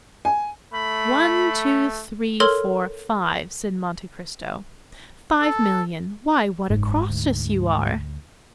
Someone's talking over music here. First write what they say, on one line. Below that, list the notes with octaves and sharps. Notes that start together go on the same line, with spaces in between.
"One, two, three, four, five," said Monte Cristo; "five millions--why what a Croesus you are!"
G#5
A3 B5
A4 A#4 C#5 C6 F6 F#7
A4
F#1 G#2
D2